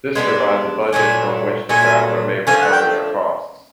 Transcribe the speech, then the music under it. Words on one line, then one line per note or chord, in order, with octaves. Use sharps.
This provides a budget from which the traveller may recover their costs.
G#3 B3 D4 G4
A#2 F#3 A3 D4 G#5
A#2 F#3 A3 D4 G#5
F3 A3 D4 G#5
F#5
G5